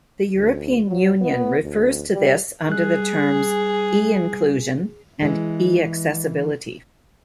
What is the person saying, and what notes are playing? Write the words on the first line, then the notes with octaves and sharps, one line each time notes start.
The European Union refers to this under the terms eInclusion and eAccessibility.
D2
F#3
B3
D2
G3
G3 G#4 F#6
E3 G#3